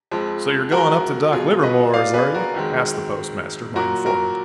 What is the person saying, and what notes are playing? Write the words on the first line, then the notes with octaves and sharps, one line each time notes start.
"So you're going up to Doc Livermore's, are you?" asked the Postmaster, my informant.
F2 F3 G#3
F#4 A#4
B2 F#3 F4 G#4
B4 D#5
D5 F5
G#4 B4
F#4 A#4
F2 D#3 G#3
A#2 F#3 F#4 A#4
F#4 A#4